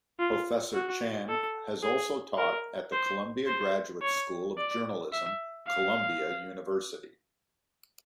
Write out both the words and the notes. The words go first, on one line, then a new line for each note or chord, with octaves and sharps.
Professor Chan has also taught at the Columbia Graduate School of Journalism, Columbia University.
F4
F#4
A4
G#4
A#4
C5
C5
C#5
D5
E5
F5